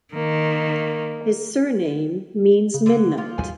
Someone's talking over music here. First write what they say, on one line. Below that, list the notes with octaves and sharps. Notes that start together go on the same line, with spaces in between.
His surname means "midnight".
D#3 A#3
C#3
D3 F#3
F3 A#3 F4
G#1 D#2 G3 G#5